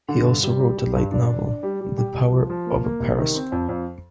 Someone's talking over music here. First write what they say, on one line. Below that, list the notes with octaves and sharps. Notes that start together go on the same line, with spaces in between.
He also wrote a light novel, "The Power Of A Parasol".
D3
G2
G3
G3
G3
G2
D4
D4
D4
G3
G3
G4
C2
F3
F3
A#3
A#3
C2
D#3
C4
F2
F2